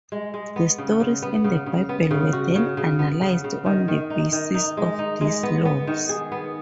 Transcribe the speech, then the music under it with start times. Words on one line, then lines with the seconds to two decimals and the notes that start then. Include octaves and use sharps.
The stories in the Bible were then analyzed on the basis of these "laws".
0.12 G#3
0.34 G#3
0.56 B3
0.78 C#3
1.00 C#3
1.22 B3
1.44 C#3
1.66 C#3
1.89 B3
2.11 C#3
2.33 F#4
2.55 C#3
2.77 C#3
2.99 B3
3.21 C#3
3.44 C#3
3.66 D#3
3.88 D#3
4.10 D#4
4.32 D#3
4.54 D#4
4.77 G#3
4.99 D#4
5.21 G#3
5.43 B3
5.65 B3
5.87 D#3
6.09 G#4
6.32 B3